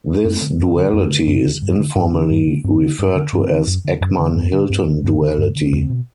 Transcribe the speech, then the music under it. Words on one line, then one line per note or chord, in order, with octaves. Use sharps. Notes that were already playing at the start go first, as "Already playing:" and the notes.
This duality is informally referred to as Eckmann-Hilton duality.
F#2 C4
D3
F#2
D3
F#2 B3
D3
F#2 C4
D3
G2
D3
G2 D4
C4
D3 D4
G2
D3
G2 C4
D3
G2
D3
G2 C4
D3
F#2
D3
F#2
D3
G2 B3
D3
G2 C4
D3 D4
G2 C4
D3
G2 D4
D3
B3
E2 C4
B2